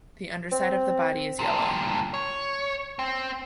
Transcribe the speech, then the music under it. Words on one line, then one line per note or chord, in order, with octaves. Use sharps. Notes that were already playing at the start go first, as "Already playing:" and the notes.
The underside of the body is yellow.
C4
G2 A#2
C#5
C4